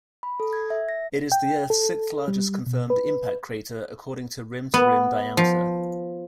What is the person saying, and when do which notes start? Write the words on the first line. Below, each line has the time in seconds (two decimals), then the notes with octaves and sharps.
It is the earth's sixth-largest confirmed impact crater according to rim-to-rim diameter.
0.23 B5
0.40 A4
0.53 G#6
0.70 E5
0.89 A#6
1.32 G5
1.70 A4
2.28 G3
2.66 B2
2.90 B4
4.74 B3
5.37 F3